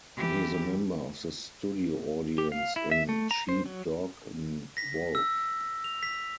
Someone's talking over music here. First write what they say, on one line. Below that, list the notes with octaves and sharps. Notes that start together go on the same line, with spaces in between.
He is a member of the studio audience in "Sheep, Dog, 'n' Wolf".
E3 G4
G4
F5
E4
E5
A3
A#5
C5
F#3
A#6 B6
E6
F7
B6